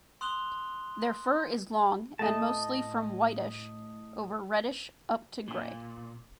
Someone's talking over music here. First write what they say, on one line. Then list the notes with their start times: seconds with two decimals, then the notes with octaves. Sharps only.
Their fur is long and mostly from whitish over reddish up to grey.
0.21 C6 D#6 F#6 F7 G7
2.19 A2 A3 D#5 A5
5.48 A#2